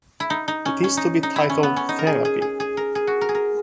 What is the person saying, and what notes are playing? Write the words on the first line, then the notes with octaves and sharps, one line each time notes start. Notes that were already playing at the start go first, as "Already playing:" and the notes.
It is to be titled "Therapy".
E4
D#4
D#4
C#4
C#4
D#4
D#4
E4
C#4
B3
C#4
D#4
A#4
G#4
G#4
G#4
G#4
A#4
G#4
F#4
A#4
G#4
A#4